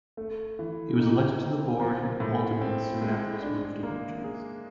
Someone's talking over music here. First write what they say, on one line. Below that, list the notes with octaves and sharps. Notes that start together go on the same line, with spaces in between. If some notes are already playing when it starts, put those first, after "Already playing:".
He was elected to the board of aldermen soon after his move to Vergennes.
A3
E3
D#4
C4
F3
A2
C4
G#3
D4
A#3
G#4